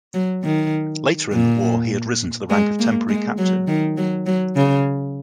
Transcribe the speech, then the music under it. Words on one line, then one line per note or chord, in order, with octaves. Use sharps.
Later in the war he had risen to the rank of temporary captain.
F#3
D#3
A#2
G#3
A#3
G#3
F#3
D#3
F#3
F#3
C#3